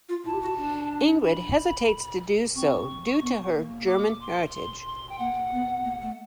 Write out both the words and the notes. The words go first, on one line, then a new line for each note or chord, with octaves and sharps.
Ingrid hesitates to do so due to her German heritage.
F4
E4 A5
G4
F#4
D4
B5
C4 C#6
B3
A#3
D6
C6
C6
C6
G5
A#3 F#5
B3
A#3
A3